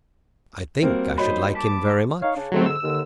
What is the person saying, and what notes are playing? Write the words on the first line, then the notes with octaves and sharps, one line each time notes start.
"I think I should like him very much."
G3 A#3 C4 F#4 A#4
D#4 F#4 C5 C#5 D#5 B5
A5 D6 B6
D#4 C#5 F5
C#3 D4
G#2 D3 F#3 A3 C4
E6
D#2 D3